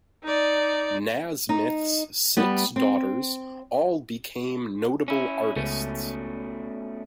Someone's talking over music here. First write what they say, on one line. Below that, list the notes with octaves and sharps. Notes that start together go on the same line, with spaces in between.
Nasmyth's six daughters all became notable artists.
D#4 D5
D#4
G3 B3
C4
C#4 E4
C#2 B2 A3 C#4